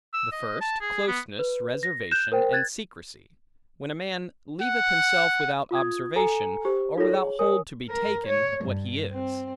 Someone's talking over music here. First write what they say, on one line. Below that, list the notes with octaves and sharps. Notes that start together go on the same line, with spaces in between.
The first, closeness, reservation, and secrecy; when a man leaveth himself without observation, or without hold to be taken, what he is.
E6
D#5
A5
G#4
B3
B4
A#6
F#6 G6 E7
A#4 C5 G5
F#6 G#6 A6
F#5
F4 D#6 G#6
A4 G#5 A#5 C#7
G4 C5
D#4 F4 A4 A#4 C#5 A#6
G#4 C#5
A#4 C#5 G#5 D#6
A#4
C#5
G2
C4